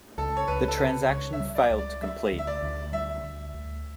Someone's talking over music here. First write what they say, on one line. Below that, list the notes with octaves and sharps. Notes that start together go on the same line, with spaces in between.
The transaction failed to complete.
C#2 A4
C#5
C#2 B4
A4
C#3 B4
C#2 C#5
E5
G3
D5
C#2
D5
G3 E5
D2
E5
D5
D2
G3 E5
D2
D2